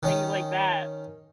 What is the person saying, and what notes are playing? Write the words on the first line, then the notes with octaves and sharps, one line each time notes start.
things like that.
D#3 C#4 D#5